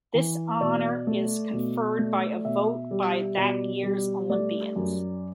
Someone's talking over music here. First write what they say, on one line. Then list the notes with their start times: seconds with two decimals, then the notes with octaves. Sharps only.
This honor is conferred by a vote by that year's Olympians.
0.14 E3
0.61 B2 D5
1.07 A3
1.53 B2
1.99 A3
2.45 B2 E5
2.91 G3
3.37 B2 D5
3.83 G3
4.29 A3 D5
4.76 F#2